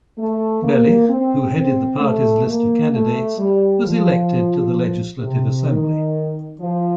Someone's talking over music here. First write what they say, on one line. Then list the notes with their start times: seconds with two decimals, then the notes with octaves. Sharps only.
Belykh, who headed the party's list of candidates, was elected to the Legislative Assembly.
0.18 A3
0.63 A#3
1.09 C4
1.56 C4
2.00 A3
2.47 A#3
2.93 A3
3.39 G3
3.85 F3
5.23 C3
5.68 D#3
6.60 F3